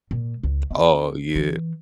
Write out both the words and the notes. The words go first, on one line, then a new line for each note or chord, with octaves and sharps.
Oh yeah.
A#2
C#2
B3
E3